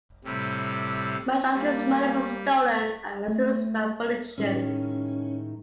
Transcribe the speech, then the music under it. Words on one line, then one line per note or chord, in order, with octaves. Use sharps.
Much of this money was stolen and misused by politicians.
A2 C3 G3
G3 A#3
A3
A2 D#3 G#3 C#4